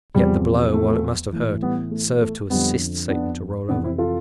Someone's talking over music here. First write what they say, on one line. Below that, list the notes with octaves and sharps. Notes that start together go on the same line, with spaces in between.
Yet, the blow while it must have hurt, served to assist Satan to roll over.
E2 C3 F3 G3
A3
A2 E3
G3 B3
A3
A3
F2 D3 F3 G3 B3
B3 D4
F2 C3 E3 B3 D4
C4 E4
F4 A4